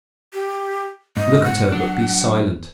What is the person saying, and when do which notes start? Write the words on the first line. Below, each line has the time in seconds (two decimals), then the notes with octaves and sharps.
Look at her, but be silent.
0.34 G4
1.17 G#2 D#5
1.44 F#5
1.72 F#3 D4